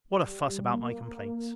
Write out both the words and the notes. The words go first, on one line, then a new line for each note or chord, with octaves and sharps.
What a fuss about my complaints!
G3
A#3